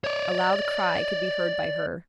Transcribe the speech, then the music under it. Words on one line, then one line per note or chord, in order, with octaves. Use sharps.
A loud cry could be heard by her.
C#5 D5